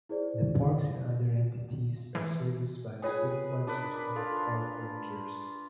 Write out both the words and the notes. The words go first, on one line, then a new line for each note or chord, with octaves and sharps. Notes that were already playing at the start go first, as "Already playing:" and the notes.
The parks and other entities are serviced by a statewide system of park rangers.
E4 G#4 C5 D5
E3
F4 G#4 B4 C#5 G5 G#5
D4 A#4 B4
F4 A4